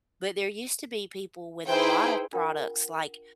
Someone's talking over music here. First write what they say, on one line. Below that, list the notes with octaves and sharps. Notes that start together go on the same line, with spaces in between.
but there used to be people with a lot of products, like,
D#4 E4 G#4 B4 C5 G5
D4 F4 A#4 F#5 G5